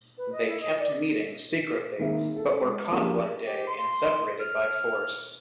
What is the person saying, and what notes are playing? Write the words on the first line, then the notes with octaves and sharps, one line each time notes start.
They kept meeting secretly but were caught one day and separated by force.
B4
D#5
E4
D#5
D5
G#1 D#3 A#3 G#4 E5
A4
G#3
D3 F3 A#3 C#4 G4 G#4
G4
C6
F6